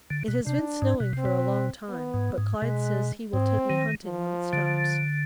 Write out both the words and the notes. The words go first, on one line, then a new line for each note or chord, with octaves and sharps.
It has been snowing for a long time, but Clyde says he will take me hunting when it stops.
D3
B2
C3 D4
G#2
B2
C3
C4
B2
B3
G#2
G#2
B2 G#3
G#2 C4
D#3
F3
D3